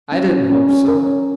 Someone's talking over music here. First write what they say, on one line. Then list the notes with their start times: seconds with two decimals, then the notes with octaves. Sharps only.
I didn't hope so.
0.12 C#4
0.31 C#4
0.50 C#4
0.69 C#4
0.88 A#4
1.07 C#4